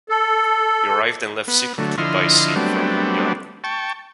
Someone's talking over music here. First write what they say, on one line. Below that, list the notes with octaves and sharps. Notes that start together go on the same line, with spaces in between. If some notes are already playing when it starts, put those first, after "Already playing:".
He arrived and left secretly by sea from Holy Island.
A4
B3
D3 F#3 A3
D3 F3 E4 D#5 C6 F6
F#3 G3 A3 B3 C4 D4
G5 A5 C#6